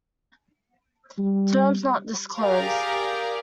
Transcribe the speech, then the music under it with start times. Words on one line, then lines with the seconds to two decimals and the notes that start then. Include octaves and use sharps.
Terms not disclosed.
1.18 G3
2.40 G4 G#4 A#4 D5 F5